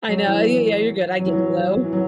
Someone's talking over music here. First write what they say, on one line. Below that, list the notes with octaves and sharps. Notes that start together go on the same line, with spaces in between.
I know, yeah, yeah, you're good I get you though.
F#3
E3
F#3
E3
F#3
E3
F#3